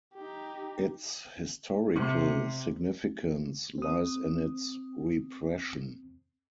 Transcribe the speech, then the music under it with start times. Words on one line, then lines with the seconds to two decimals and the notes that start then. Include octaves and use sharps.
Its historical significance lies in its repression.
0.15 D#4 G4
1.95 C3
3.78 C4 D#6